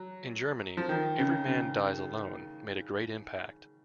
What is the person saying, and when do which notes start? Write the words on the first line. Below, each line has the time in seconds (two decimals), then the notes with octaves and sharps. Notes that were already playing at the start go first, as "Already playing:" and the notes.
In Germany, "Every Man Dies Alone" made a great impact.
Already playing: F#3
0.77 F3
0.89 D#3
1.19 C#3
1.47 C#3